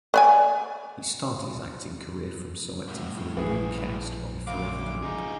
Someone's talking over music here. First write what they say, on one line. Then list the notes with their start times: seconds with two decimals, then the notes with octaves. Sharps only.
He started his acting career from selecting for the new cast by Forever Group.
0.14 B4 D5 G#5
2.88 C2 A2
3.37 A#1 E3 G#4
4.47 D2 F5 D6
5.03 D#4 F4 G#4